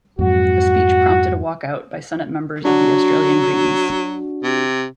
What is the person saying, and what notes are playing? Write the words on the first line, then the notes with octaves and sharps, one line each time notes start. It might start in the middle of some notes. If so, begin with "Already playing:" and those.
The speech prompted a walk out by Senate members of the Australian Greens.
F2 G#2 F#3 F#4
F#3 D4 F#4
C3